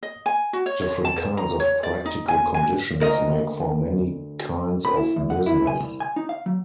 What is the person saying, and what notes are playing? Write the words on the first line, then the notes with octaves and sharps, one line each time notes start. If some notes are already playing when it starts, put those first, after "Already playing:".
Different kinds of practical conditions make for many kinds of business.
D#5
G#5
F#4
C#5
C#5
A5
A#5
C#5
D5
D#4
G#5
G#5
D2 A#4 D#5
B5
E4
E2
F#5
E4
G#5
C2
G#5
D#4
F5
F#3